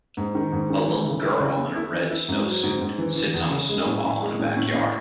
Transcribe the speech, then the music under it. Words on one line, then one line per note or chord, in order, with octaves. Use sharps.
A little girl in a red snowsuit sits on a snowball in a backyard.
G#2
D#3
G#2
D#3
E3
C#3
E4
C#3
A3
E4
E3
E4
G#2
F#3
G#2
G#2
E3
E3
E2
C#3
G#3
A2
A2
G#3
A2
A2
A2